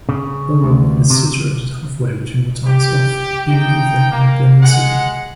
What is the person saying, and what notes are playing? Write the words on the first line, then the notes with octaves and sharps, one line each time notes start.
Owo is situated halfway between the towns of Ile Ife and Benin City.
C#3
D2
C3
G4
D#4 G5
A#3
G#3 F#5